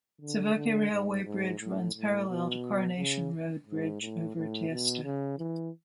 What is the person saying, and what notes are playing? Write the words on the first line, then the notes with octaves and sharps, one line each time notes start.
Sevoke Railway Bridge runs parallel to Coronation Road Bridge over Teesta.
D3
D3
G#2
G#2
A2
A2
B2
C#3
G#2
A2
A2
B2
C#3
E3